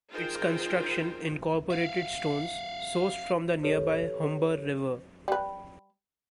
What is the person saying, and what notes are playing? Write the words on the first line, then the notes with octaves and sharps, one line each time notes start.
Its construction incorporated stones sourced from the nearby Humber River.
D#4 F4 G#4 A#4 C5 G5
E5 F5
G4 A4 B4 C#5
G3 B4